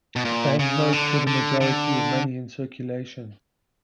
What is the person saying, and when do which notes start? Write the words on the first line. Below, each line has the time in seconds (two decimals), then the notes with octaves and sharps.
Banknotes were the majority of the money in circulation.
0.16 B2
0.25 A#2
0.59 C#3
0.93 D3
1.27 D3
1.61 D3